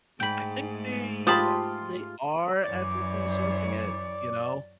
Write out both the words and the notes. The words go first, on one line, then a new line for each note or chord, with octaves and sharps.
I think they they are ethically sourcing it, you know,
G#2 G#3 A3 G5 B5
F4 G4 C5 A5 B5 C6 D#6
F#2 E3 C#5 D5